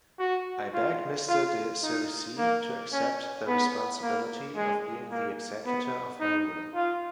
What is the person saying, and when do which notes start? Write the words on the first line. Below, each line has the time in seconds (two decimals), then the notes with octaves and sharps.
I beg Mr. de Sérisy to accept the responsibility of being the executor of my will.
0.19 F#4
0.74 F4
1.29 F4
1.83 D#4
2.38 A#3
2.93 C#4
3.48 B3
4.02 A#3
4.56 G#3
5.11 A#3
5.66 B3
6.21 D#4
6.75 F4